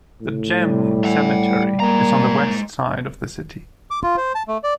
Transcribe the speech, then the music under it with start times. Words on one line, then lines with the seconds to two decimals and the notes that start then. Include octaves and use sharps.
The Gem Cemetery is on the west side of the city.
0.21 A2
0.56 G3
1.04 E5 F#5
1.80 G#3 A#3 A#5
3.91 D6
4.03 F4
4.17 C5
4.35 A5
4.48 A3
4.64 D5